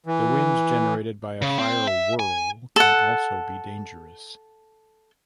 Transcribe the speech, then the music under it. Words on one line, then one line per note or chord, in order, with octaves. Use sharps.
The winds generated by a fire whirl can also be dangerous.
E3
C#3
C4
E5
G#5
A4 F#5